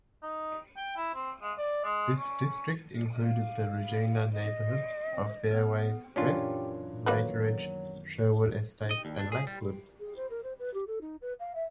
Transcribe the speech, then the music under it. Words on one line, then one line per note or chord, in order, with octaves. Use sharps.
This district included the Regina neighbourhoods of Fairways West, Lakeridge, Sherwood Estates and Lakewood.
D#4
G5
E4
C4
G#3
D5
G#3
C#4
F5
D#5
B3 F6
F#2 A#2 E3 C#4 D4 F4 G4
D#3 F#3 A#3 B3 F#4 B4
D#5
D#2
D4
G#4
G3
G#4
C5
A#4
C5
B4
G4
A4
D#4
B4
F5
E5